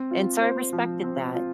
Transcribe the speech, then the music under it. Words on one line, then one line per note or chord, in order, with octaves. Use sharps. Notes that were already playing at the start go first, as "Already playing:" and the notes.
and so I respected that,
Already playing: C4
F4
C5
F3
C4
F4